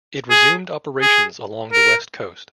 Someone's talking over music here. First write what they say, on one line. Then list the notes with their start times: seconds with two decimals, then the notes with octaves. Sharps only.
It resumed operations along the west coast.
0.30 G#4
1.02 G#4
1.73 A#4